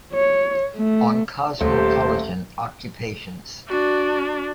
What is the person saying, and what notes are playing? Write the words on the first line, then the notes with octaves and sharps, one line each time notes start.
'On Cosmopolitan Occupations.
C#5
A3
D#1 A3 G4 A4 C5
D4 F#4